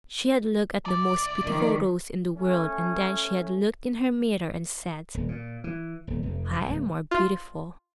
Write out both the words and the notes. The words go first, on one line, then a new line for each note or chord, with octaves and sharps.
She had looked at the most beautiful rose in the world, and then she had looked in her mirror and said, "I am more beautiful."
C2 D5
D#3 F3
A3 C#4
D#1
A#2
E3
D#1
F1
C3
D1
F4